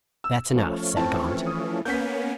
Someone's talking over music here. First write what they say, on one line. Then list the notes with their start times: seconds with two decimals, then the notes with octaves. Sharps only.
"That's enough," said Gaunt.
0.24 E6
0.55 F3 A3 C#4
0.97 E3 C4 A5
1.47 D#6
1.85 A#3 B3 C#4 G6 B6